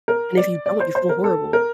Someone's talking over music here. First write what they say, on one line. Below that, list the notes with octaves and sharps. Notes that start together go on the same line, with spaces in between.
And if you don't, you feel horrible.
A#4
D5
D5
C5
C5
A#4
A4
A#4